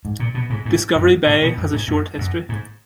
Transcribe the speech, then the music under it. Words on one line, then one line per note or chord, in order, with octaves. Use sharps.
Discovery Bay has a short history.
G#2
A#2
B2
G#2
G#2
F#2
G#2
B2
F#2
G#2
F#2
F#2
G#2